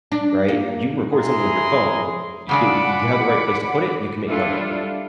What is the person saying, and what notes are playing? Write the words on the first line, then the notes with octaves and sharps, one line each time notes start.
right? You record something with your phone, you go y you have the right place to put it, you can make money on it,
D4
A#3
G#3 E4 G#4 A#5 C6 D#6
C#3 G#3 D4 F#5 B5 D6
G3 D4 E4 F4 A4